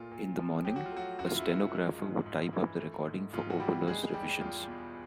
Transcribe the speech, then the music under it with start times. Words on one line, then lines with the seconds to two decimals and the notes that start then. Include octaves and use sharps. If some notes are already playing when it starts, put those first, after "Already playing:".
In the morning, a stenographer would type up the recording for Oboler's revisions.
Already playing: A#2 A3 F4
0.12 A#2
0.38 F3
0.65 F#3 G4
0.76 F#4
0.86 F4
0.92 F#3 A3 F#4
1.19 F#2 F#4
1.27 F4
1.36 E4
1.44 D#3 F4
1.72 G#3
1.99 G#2
2.26 G#2
2.53 E3
2.80 A3
3.07 G#2
3.33 G#2 F4
3.50 F#4
3.60 E3 G3 G4
3.87 G3 G#3 G#4
4.14 E2 G3 G4
4.41 E2 F4
4.67 B2